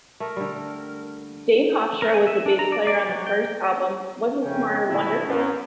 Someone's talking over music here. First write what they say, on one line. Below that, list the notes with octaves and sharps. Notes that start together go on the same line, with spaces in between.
Dave Hofstra was the bass player on the first album, Wasn't Tomorrow Wonderful?
A3 A#4
D3 G3
A#4
G#5
E5
D4
A#5
D5
D5
F#3
G5
F2 C#3 A3 C#4 G5
A#2 D3 F#3 A3 D#4 E4
F#2